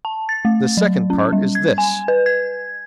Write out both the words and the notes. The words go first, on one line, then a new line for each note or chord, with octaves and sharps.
The second part is this.
A5
A6
A3
F#3
C#4
G3
G#6
G#5
B4
G#6